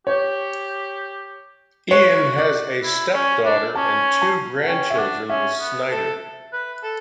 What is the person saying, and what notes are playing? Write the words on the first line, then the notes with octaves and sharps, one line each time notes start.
Ian has a stepdaughter and two grandchildren with Snyder.
G4 C#5
F#4 C#5
D5
E4
C#4
D4
C#4 A5
A5
F#5
C#4 G5
E5
C#4
D4 F#5
C#4 E5
B3
A4
B4
A4